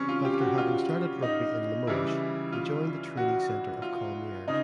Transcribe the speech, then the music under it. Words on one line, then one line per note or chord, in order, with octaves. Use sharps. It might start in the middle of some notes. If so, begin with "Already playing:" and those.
After having started rugby in Limoges he joined the training center of Colomiers.
Already playing: C#3 E3 G3 C4 C#4
F4
G4
F#4
F4
D#4
C#3 E3 G3 E4
F4
F#4
F4
C#3 D#4